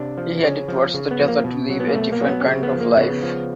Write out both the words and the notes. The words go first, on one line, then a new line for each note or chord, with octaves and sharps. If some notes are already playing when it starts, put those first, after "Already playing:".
He headed towards the desert to live a different kind of life.
Already playing: C3 D4
F3
C#3 C#4
F3
C#3
B3
F3
A#3
B2
F#3
B3
A#3
B2 A3
A#3
F#3 C4
B3
C#4
C#3 C4
B3
F3
A#3
C#3 B3
F3